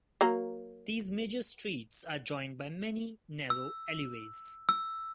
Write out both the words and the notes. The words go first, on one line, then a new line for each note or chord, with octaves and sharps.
These major streets are joined by many narrow alleyways.
F#3 A#3 A#4
E6
E6